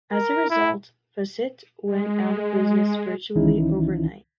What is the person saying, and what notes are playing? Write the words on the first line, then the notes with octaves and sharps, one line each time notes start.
As a result, Facit went out of business virtually overnight.
A#4
E4
G#3
C2 D#3 E3 C#4 D#4 E4